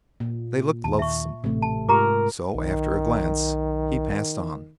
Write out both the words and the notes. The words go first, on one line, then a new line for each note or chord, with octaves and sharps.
They looked loathsome, so after a glance, he passed on.
A#2
D#2 A5
E5 C#6
A1 C3 A3
A5
G#2 F4 G4 A#4 A#5 D6
B1 D#3